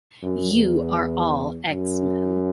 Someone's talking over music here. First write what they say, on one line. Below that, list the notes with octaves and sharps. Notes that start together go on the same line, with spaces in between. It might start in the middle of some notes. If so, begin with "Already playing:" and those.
You are all X-Men.
F#2
E2
F#2